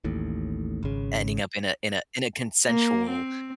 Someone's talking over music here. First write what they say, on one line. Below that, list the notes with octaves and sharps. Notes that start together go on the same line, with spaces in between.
ending up in a in a in a consensual,
A1 D#2 A2
G#1 C#3
A#3
C4